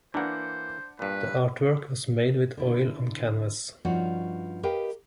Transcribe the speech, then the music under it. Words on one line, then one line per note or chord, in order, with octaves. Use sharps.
The artwork was made with oil on canvas.
E3 A#3 D4 C5 F#5
G2 A#2 B4
D3 E4
G2 F3 C#4 D#4 F#4
G4 A#4 B4 D#5 F5 G5